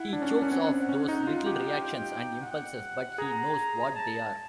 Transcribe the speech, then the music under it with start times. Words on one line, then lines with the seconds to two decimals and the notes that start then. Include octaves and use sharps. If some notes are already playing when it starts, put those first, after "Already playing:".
He chokes off those little reactions and impulses, but he knows what they are.
Already playing: E4 F#5
0.13 D4
0.22 C#4
0.30 D4
0.42 C#4
0.51 C4
0.89 C#4
1.08 D#4
1.27 F4
1.47 G4
1.66 G5
2.42 F#5
3.18 G#4 A#5
3.95 A5